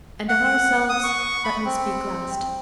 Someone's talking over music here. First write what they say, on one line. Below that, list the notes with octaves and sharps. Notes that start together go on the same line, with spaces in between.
And of ourselves let me speak last.
F#5
D#6
C#6
B5
C4